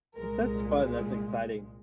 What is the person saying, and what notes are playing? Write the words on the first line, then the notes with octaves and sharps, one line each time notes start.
That's fun, that's exciting,
C2 A#2 G#3 A#4